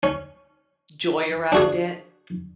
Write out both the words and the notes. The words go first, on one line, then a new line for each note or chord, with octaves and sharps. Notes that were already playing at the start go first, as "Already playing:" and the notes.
joy around it
C#4
D4 F#4 G#4